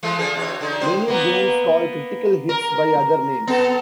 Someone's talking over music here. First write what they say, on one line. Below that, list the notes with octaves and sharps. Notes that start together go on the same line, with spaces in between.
Many games call critical hits by other names.
E3 G#3 A3
D3 F3 G#4
B2 E3 C#5
D3 D4 D#4
F#3 C5
A#3 B3
A#4
B3 A4